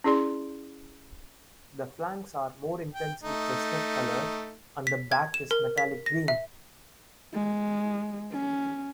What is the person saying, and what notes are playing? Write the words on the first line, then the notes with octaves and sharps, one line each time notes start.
The flanks are more intensely chestnut colored and the back is metallic green.
C#4 E4 G#4 D5 C6
G5
A3 D#4
B6
G#6
E7
A#4
B6
A#6
E5
G#3
C#4